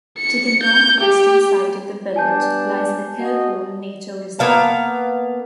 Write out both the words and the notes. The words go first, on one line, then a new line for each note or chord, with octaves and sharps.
To the north-western side of the village lies the Hill Hole Nature Reserve.
C#7
G6
G4
G3 B3 D4 G#5 A5 G6
F#4 D#5
A#3 B3 F5 A5